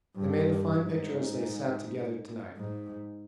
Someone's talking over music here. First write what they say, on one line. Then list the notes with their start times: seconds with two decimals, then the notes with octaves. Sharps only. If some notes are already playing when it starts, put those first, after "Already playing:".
They made a fine picture as they sat together to-night.
0.16 G2
0.65 G#2
2.56 G#2